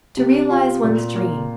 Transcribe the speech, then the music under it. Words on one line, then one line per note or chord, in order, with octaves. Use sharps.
To realize one's dream.
C3
F4
A#2
A#3